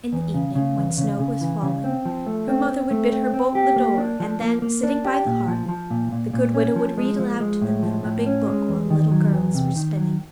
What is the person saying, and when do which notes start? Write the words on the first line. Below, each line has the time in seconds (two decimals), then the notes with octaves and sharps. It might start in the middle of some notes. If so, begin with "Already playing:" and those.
In the evening, when snow was falling, her mother would bid her bolt the door, and then, sitting by the hearth, the good widow would read aloud to them from a big book while the little girls were spinning.
0.13 E2
0.34 C#3
0.55 C#3
0.77 E2
0.98 C#3
1.19 C#3
1.41 E3
1.62 C#3
1.84 C4
2.05 F3
2.27 A3
2.48 C4
2.69 C4
2.91 A3
3.12 C4
3.34 C4
3.55 G4
3.76 A#3
3.98 D4
4.20 F3
4.41 A#3
4.62 A#3
4.83 D4
5.05 G4
5.26 A#2
5.48 F3
5.69 F3
5.91 A#2
6.12 A#2
6.33 A#2
6.54 C#4
6.76 F3
6.98 G#3
7.19 F3
7.40 G#3
7.62 A2
7.83 F3
8.04 A2
8.26 C#4
8.47 G#3
8.69 E2
8.90 D#3
9.11 F#3
9.33 E2
9.54 C3
9.76 D#3
9.97 F#3